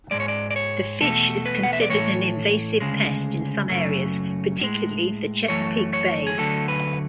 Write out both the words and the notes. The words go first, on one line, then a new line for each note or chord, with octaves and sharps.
The fish is considered an invasive pest in some areas, particularly the Chesapeake Bay.
G#2 G#3 D5
C#5
D5
D5
C#5
E2 B2 A3 A4
B4
F#5
E5
D5
A2 E3 A3 C#5
D2 C#3 G#3
F#2 C#3 F#3 A3
A2 G#3
F#2 E3 A3 C#5
C#5
G#4
D2 D3 F#3 A3 A4
B4